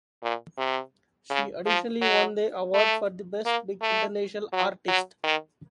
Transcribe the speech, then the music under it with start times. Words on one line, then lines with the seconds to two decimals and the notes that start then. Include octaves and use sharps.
She additionally won the award for the Best Big International Artist.
0.23 A#2
0.58 C3
1.30 C#3
1.66 F3
2.02 F#3
2.74 A3
3.46 A#3
3.81 A3
4.53 F#3
4.88 F#3
5.24 D#3